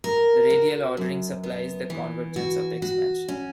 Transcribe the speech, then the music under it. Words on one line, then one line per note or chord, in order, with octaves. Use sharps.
The radial ordering supplies the convergence of the expansion.
A#4
F#4
F#2
B3
E3
F#4
F#4
C#4